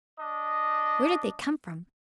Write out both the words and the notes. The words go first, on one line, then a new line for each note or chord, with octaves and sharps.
Where did they come from?
D4 D#5